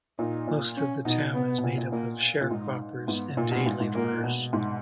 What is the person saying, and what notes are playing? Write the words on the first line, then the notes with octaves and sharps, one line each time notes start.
Most of the town is made up of sharecroppers and day laborers.
A#2 D#4
A#2
C#4
B2 D#4
B3
B2
A#2
A#2
A#2 A#3
A#2
G#2 D#4
G#2 B3
A#2
B2
G#2
G#2
A#2 A#3
B2
G#2